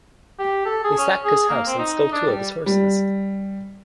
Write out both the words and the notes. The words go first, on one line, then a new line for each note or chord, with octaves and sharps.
They sacked his house and stole two of his horses.
G4
A4
G#4
C#4
G#4
A#3
C4
D#4
D4
G3
G3